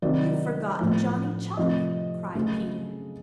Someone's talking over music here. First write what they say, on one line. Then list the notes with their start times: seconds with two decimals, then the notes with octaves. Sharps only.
"You've forgotten Johnny Chuck," cried Peter.
0.02 C3 D#3 F#3 D5
0.79 A2 F3 A3
1.57 C3 F3 A3 D#5
2.35 C#3 F#3 A3